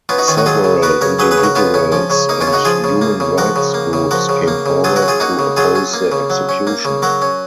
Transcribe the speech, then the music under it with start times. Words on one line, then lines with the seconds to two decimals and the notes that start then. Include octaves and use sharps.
Several individuals and human rights groups came forward to oppose the execution.
0.09 B3 C#4 F4
0.18 D#4 F#4
0.28 D#3 C#4 F4
0.37 D#4 F#4
0.46 F#3 F4 G#4
0.64 C#3
0.82 B3 F#4 A#4
1.01 C#3 A#4 C#5
1.19 F#3 G#4 B4
1.31 G#4 B4
1.38 C#3
1.43 F#4 A#4
1.55 B3 C#4 F4
1.74 C#3 C#4
1.92 F3 C#4
2.10 C#3 C#4
2.29 A#3 D#4
2.41 C#4 F4
2.47 C#3
2.53 D#4 F#4
2.65 F3 F4 G#4
2.84 C#3
3.01 A#3
3.20 C#3
3.38 F3 F#4 A#4
3.56 C#3
3.74 A#3
3.93 C#3
4.11 F3 F#4 A#4
4.29 C#3
4.48 A#3
4.66 C#3
4.84 F#3 F4 G#4
4.96 F#4 A#4
5.02 C#4
5.08 F4 G#4
5.20 A#3 D#4 F#4
5.39 C#3
5.57 F#3 F4 G#4
5.75 C#4
5.93 A#3
6.12 C#3
6.30 F#3
6.49 C#4
6.67 A#3
6.85 C#3
7.02 F#3 F#4 A#4
7.22 C#4